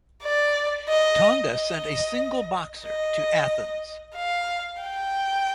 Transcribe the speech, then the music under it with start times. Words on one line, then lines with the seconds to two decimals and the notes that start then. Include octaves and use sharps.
Tonga sent a single boxer to Athens.
0.23 D5
0.88 D#5
1.53 D#5
2.84 D#5
4.15 F5
4.81 G5